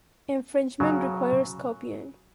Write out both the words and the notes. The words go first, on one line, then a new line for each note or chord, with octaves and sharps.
Infringement requires copying.
C#3 F#3